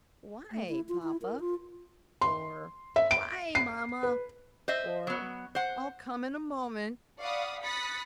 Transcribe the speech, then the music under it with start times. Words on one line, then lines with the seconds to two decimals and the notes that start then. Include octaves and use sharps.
"Why, papa?" or "Why, mamma?" or "I'll come in a moment."
0.52 A3
0.69 E4
0.89 F4
1.02 E4
1.22 A#4
1.40 F4
2.22 C6
2.96 E5
3.11 D7
3.55 C7
4.03 B4
4.68 C5 D#5 E5
5.07 F#3 B3
5.55 C5 F#5
7.21 D5 F5 F#5 B5 C#6 D#6
7.64 B5 D#6 F#6 A6 B6 C#7